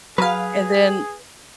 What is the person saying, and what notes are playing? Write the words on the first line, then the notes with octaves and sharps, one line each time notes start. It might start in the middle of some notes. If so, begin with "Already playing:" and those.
And then
F#3 G#4 B4 F5